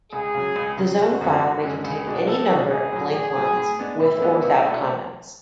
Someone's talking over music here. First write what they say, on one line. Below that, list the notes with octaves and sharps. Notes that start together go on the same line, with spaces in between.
The zone file may contain any number of blank lines with or without comments.
C#2 G#4
C#3 F#3
C#2
C#3 F#3
F#1 F#4
F#2 D3 G#3 C#4
F#1
F#2 D3 G#3 C#4
C#2 G#4
B2 G#3 D4
C#2 A4
B2 G#3 D4
A1 G#4
A2 F#3
A1 G#4
A2 F#3
A2
G#3 B3 D4
A2 E4
G#3 B3 D4
C#2
B2 A3 D4